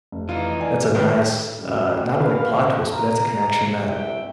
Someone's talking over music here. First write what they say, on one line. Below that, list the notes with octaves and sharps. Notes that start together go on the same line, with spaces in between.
that's a nice uh, not only plot twist, but that's a connection that
F1
E3 D#4 F4
D5 G#5
D2 A2 D#3 B4 C#5 D5 G5 F6
F#2 D3 G3
A#1 A#4 B4 F5
A#2 D3 F3
A#5
G1 C2 E5 G5